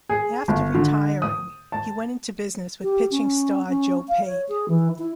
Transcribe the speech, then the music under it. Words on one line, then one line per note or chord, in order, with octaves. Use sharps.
After retiring, he went into business with pitching star Joe Pate.
G#4
G1
D3
D#6
A5
G4
C#4
C#4
F5
C#5
G#4
E3
E4